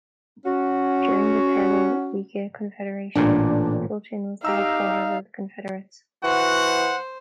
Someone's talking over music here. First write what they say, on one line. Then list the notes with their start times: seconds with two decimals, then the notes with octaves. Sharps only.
During the Targowica confederation Tulchin was the headquarters of the confederates.
0.46 C#4 F#4
3.16 A1 A#2 D4
4.45 D#4 G4 F5 A#5 E6
6.24 E3 F#4 C5 F#5